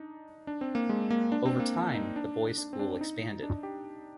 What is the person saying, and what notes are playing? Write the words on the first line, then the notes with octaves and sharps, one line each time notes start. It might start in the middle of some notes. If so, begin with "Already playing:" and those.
Over time, the boys' school expanded.
Already playing: D4 D#4
D4
C4
A#3
G#3
A#3
D4
C4
A#3
D#4
D4
D4
C4
D4
D#4
D4
G4